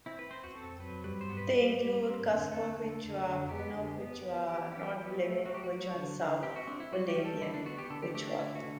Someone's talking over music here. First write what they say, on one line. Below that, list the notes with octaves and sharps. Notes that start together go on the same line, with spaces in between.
They include Cusco Quechua, Puno Quechua, North Bolivian Quechua, and South Bolivian Quechua.
C4 E4
B4
C4 C5
F#4
C4 A4
F#3 B4
G3 B4
C5
B3
B4
G3
G3
C4
D3
A3 A4
D3
D3
D3
B3 G4
D3
B3
B3
E3 G4
B3 G4
F#3
A3
F#3 F#4
G4
F#4
F#3
D3
D3
C4 G4
F#4
C4 D4
E4
G3 F#4
G4
G3
A4
D3 E4
D4
B3 F#4
G4
D3 A4
G4
A3 G4
D4
D3 E4
F#4
D3